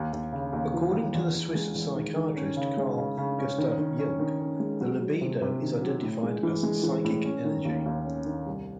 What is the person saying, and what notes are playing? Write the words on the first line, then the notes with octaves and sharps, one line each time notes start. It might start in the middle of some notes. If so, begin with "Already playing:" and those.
According to Swiss psychiatrist Carl Gustav Jung, the libido is identified as psychic energy.
Already playing: D#2
D#2
C#3
D#2
E3
D#2
E2
E2
G#3
E2
D#3
D#3
C#4
C#3
G#3
C#3
C#3
C#4
D#3
D#3
C#4
D#3
C#4
G#3
F#3
F#3
C3
C3
D#3
F#3
A2
G#3
E3
G#3
E3
A2
C#4
D#3
D#2
D#2
C#4
D#3
C2